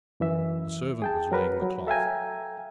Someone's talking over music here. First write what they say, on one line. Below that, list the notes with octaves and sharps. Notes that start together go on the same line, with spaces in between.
The servant was laying the cloth.
F#2 E3 E5
G#4 G5 A5
F#3 A#4 B4
F#3
A4 E5 F5 G5 G#5 A#5